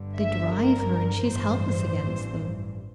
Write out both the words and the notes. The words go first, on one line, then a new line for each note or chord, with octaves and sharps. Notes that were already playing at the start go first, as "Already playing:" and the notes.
They drive her, and she is helpless against them.
Already playing: G1 G2 D3
E5
A#4
A1 G2 E3 C5